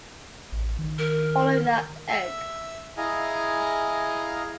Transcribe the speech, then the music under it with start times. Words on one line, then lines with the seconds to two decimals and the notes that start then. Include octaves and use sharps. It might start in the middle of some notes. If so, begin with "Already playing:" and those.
Follow That Egg!
0.52 A1
0.79 D#3
0.99 A#4
2.10 E5 E6
2.97 E4 G#4 D#5 F5 G#5 A#5